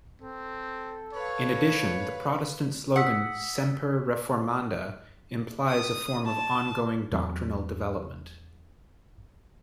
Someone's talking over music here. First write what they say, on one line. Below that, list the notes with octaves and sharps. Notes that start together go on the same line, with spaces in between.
In addition, the Protestant slogan Semper reformanda implies a form of ongoing doctrinal development.
C4 A4
B4 C#5 F5
F#5 D#6 E6 B6
D#6
A5
E2 F#3 C4